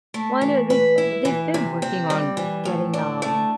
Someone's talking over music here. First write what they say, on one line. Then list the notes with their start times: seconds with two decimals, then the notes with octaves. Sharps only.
Well, I know, they've they've been working on getting, um
0.14 A3
0.41 E3
0.70 B4
0.98 E4
1.25 E3
1.54 C3
1.82 C4
2.10 G3
2.37 E3
2.65 A2
2.94 D4
3.22 A3